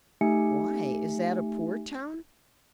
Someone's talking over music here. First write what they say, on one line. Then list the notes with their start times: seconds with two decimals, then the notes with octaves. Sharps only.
"Why, is that a poor town?"
0.21 A3 D#4 G4 E5 G#5 C#7